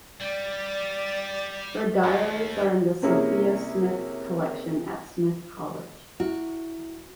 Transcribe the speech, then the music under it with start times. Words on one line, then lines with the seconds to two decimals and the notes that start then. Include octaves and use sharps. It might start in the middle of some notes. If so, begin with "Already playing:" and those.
Her diaries are in the Sophia Smith Collection at Smith College.
0.20 G3 D5
2.03 D#2
3.02 C3 A#3 C#4 E4 G#4 A#4
6.20 E4 F#4